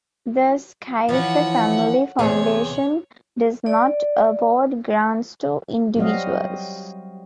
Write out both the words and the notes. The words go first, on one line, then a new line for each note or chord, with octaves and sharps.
The Scaife Family Foundation does not award grants to individuals.
E3 F3 C#5 F#5
E2 C3 G#4 C#5
D5
F#3 G3 C4 F#4 D#5 F5